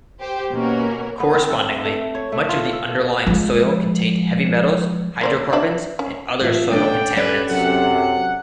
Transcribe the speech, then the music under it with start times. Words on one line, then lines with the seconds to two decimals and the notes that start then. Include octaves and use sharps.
Correspondingly much of the underlying soil contained heavy metals, hydrocarbons and other soil contaminants.
0.19 G4 C5
0.51 B2 A#3 C#4 F#4 A#4
1.20 B3
1.34 C4
1.50 A4
1.69 A3
1.85 A3
2.15 C#5
2.32 A3
2.49 F4
2.73 A4
3.27 F3 G#3
5.21 A#3 C5 D5
5.53 D4 D5 E5
5.99 C#4
6.41 A2 E3 F4 E5
6.70 B2 A3 C#4 D4 A4 D5 G5
7.17 C#4 G4 A4 B4 D5
7.50 F#2 C3 F#5